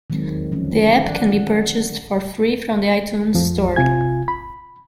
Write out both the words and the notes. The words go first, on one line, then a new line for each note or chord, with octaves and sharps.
The app can be purchased for free from the iTunes Store.
D#3 F#3 G#3 A3 C4
D3 D#3 F3 F#3 A3 C#4
F3 D5 F#5
F2 F3
C3 F4 G#5 G#6
B5